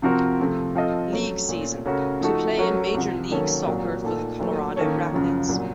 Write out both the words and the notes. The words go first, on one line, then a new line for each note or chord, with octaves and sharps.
League season to play in Major League Soccer for the Colorado Rapids.
C3 F3 C4 F#4 A#4
C3 F3 A3
F3 C4 F4 A4 D#5
F#3 A3 C#4
A#2 A3 C#4
C#3 A3 C#4 F#4 A#4
F3 A3 D#4 F#4 A4
F#3 A3 C#4 F#4 A#4
C2 C3 F3
D#3 F#3 A#3 C#4 A4
C2 A#2 F#3
A#2 A3 D#4 A4
A#2 F#3 A3
D#3 A#3 C#4 A4 C#5
F#2 C#3 F3
C2 A#2 F#3